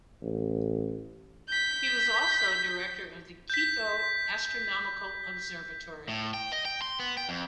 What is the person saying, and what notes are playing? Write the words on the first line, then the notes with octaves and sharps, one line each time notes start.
He was also director of the Quito Astronomical Observatory.
A1
G6 B6
G6 B6
A2
G5
D#5
G5
C6
B3
G5
F2